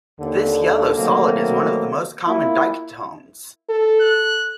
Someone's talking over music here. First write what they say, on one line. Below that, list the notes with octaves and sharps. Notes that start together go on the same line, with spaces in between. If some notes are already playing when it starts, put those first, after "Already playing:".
This yellow solid is one of the most common diketones.
D#2 D3
B2 D#3 F#3 A3 A#3 C4
A#3 E4 F4
A4
F#6